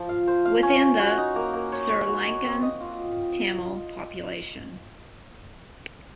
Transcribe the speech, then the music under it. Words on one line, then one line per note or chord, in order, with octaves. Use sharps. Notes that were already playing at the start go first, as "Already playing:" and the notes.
Within the Sri Lankan Tamil population.
Already playing: F3
F5
C5
F5
C#4
C#4
F#4
D#4
A#3
A#3
C#5
C#5
F#4
D#5
C4
D#5
F4